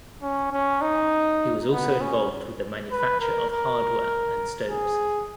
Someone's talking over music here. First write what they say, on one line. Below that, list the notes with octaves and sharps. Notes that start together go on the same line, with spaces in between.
He was also involved with the manufacture of hardware and stoves.
C#4
C#4
D#4
B3
C#4
B4
A#4
A#4
G#4